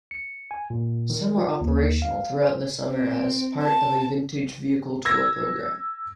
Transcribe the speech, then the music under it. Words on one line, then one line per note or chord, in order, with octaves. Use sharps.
Some are operational throughout the summer as part of a Vintage Vehicle Tour program.
C#7
G#5
A#2
D#3
F4
D#2
F5
C5
C4
A5
E6 G#6 A#6